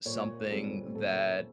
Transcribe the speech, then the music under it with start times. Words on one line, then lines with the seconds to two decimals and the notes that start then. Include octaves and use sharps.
something that
0.05 A#2 C#5
0.50 G3 C4 A4
0.95 A#2 A4